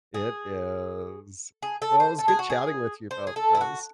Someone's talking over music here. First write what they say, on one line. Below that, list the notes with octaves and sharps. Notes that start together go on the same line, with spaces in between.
It is. Well, it was good chatting with you about this.
G#4
G#4
A4
C5
A4
G#4
F#4
G#4
C5
G#4
A4
E4
F#4